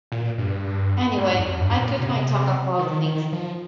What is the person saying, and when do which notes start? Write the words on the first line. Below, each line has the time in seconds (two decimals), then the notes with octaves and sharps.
Anyway, I cut my tongue of all things.
0.12 A#2
0.38 G2
1.18 G#2
1.38 F2
1.49 F2
1.58 G2
1.78 A#2
1.98 C3
2.79 D#3
3.06 D#3
3.32 F3